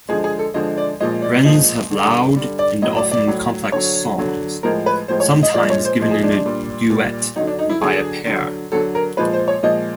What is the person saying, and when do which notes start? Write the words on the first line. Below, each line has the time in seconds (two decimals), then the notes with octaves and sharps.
Wrens have loud and often complex songs, sometimes given in duet by a pair.
0.09 D3 F3 G#3 G#4
0.24 G#4
0.39 A4
0.54 D3 F3 G#3 D#5
0.78 D5
1.00 A#2 F3 G#3 D#5
1.22 D5
1.45 A#2 F3 G#3 D#5
1.91 D3 G3
2.36 D3 G3
2.59 D5
2.82 A2 F#3 D#5
2.96 D5
3.12 D5
3.27 A2 F#3
3.72 D3 F#3 C#5
4.18 D3 F#3
4.63 A2 F3 G#3 A#4
4.86 B4
5.08 A2 F3 G#3 C5
5.20 C#5
5.43 D#5
5.54 A#2 F3 G#3 D5
5.70 C#5
5.85 C5
5.99 A#2 F3 G#3
6.11 G#4
6.23 D4
6.33 D4
6.45 A#2 G3
6.90 A#2 G3
7.36 D3 F#3 D#4
7.47 D4
7.59 D#4
7.70 E4
7.81 D3 F#3 G#4
8.27 D3 F#3
8.72 D3 F#3 A4
8.95 A#4
9.17 A#2 F3 G#3 B4
9.34 C5
9.48 C#5
9.63 A#2 F3 G#3 D#5